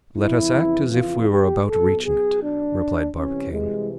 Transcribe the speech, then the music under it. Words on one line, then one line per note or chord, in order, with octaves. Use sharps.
"Let us act as if we were about reaching it," replied Barbicane.
F2 C#3 E3 E4
F4
G4
B1 B2 A4
G#4
D4
C2 C3 E3 C#4
G#3